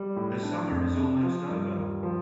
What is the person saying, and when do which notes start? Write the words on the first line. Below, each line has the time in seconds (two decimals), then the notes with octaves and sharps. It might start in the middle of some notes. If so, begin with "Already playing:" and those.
The summer is almost over.
Already playing: G3
0.16 A2
0.43 D4
0.70 F2
0.96 C3
1.23 F3
1.50 G2
1.77 D#2
2.03 F3